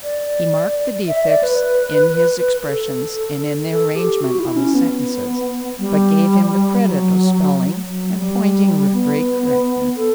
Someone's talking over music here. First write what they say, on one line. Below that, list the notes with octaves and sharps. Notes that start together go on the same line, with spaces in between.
He marked the defects in his expressions, and in the arrangement of his sentences, but gave him the credit of spelling and pointing with great correctness.
D5
E5
D5
B4
A4
A4
G4
F#4
E4
C#4
B3
G3
F#3
F#3
G3
B3
A4